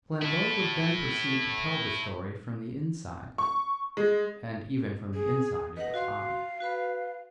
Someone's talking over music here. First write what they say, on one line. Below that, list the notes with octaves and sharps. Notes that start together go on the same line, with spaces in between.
Flambeau would then proceed to tell the story from the inside; and even from the inside it was odd.
E4 A4
C#6
G#3
G#4
B4 D#5 F#5
F#4 F5 C6
F#4 B4 B5